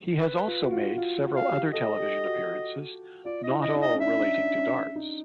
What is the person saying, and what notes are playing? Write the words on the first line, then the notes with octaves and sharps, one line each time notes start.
He has also made several other television appearances, not all relating to darts.
B4
F4
F#4
F4
F4
F#4
F5
G4
A4 D#5
G4
F#4
F4 D5
D#5
E4
D#5
D#4
D#5
C#4
D4 E5
D#4
D4
C#4
D4
D#4